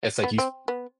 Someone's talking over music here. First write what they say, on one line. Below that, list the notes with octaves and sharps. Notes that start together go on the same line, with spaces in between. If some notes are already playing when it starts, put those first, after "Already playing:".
It's like you s
B3
C4
B3